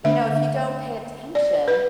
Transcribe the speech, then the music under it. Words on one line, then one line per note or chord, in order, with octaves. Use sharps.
you know, if you don't pay attention,
D3 A3 D4 E5
D5
B4